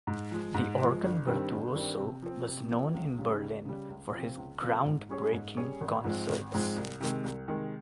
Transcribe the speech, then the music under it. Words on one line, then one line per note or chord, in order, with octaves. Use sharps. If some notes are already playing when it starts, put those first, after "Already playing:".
The organ virtuoso was known in Berlin for his "groundbreaking" concerts.
G#2
F3 G#3
G#2
F3 G#3
G1
G2 D#3 G3 C4
G1
G2 D#3 G3 C4
C3
F3 C4
C3
F3 C4
C#2
C#3 G3
C#2
C#3 G3
C#2
C3 F3 C4 F4
C#2
C3 F3 C4 F4
G#2
G3 C#4 G#4 C#5
G#2
G3 C#4 G#4 C#5
G#1
G#2 F3 G#3 C4
G#1
G#2 F3 G#3 C4
C2
C3 D#3 G#3
C2
C3 D#3 G#3